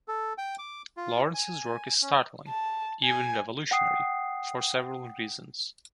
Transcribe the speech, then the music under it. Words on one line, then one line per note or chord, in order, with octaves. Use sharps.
Lawrence's work is startling, even revolutionary, for several reasons.
A4
G5
D6
F4
G#5
C#4
A5
G#5
F#5 G5 D#6 C7